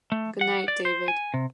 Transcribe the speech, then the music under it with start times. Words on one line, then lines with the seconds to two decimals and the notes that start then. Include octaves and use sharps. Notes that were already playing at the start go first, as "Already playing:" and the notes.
Good night, David.
0.12 A3
0.41 F#5
0.68 D5
0.85 C5
1.08 G#5
1.34 C3